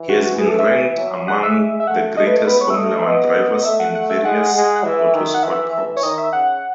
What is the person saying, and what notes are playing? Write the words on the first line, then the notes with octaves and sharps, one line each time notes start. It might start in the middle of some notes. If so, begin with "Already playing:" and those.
He has been ranked among the greatest Formula One drivers in various motorsport polls.
Already playing: E3
F#4
F#4
E3 G#4
A4
E5
F#3
G#3 F#5
E5
E5
A3 F#5
A3 D#5
B4
D#5
B3 B4
C#5
E5
A3 D#5
D#5
E5
B3 D#5
D#5
A3 E5
F#5
F#5
E5
G#3 F#5
G#3
F#5
E3 E5
D#3
F#5
E3 E5
E3
C#5
D#3 D#5
E5
C#3 F#5